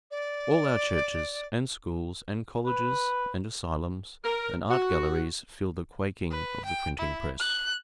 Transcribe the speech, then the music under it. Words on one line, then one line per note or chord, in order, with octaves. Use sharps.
All our churches, and schools, and colleges, and asylums, and art-galleries feel the quaking of the printing-press.
D5
B4
A#4
F#4
B4
G5
E4
F#6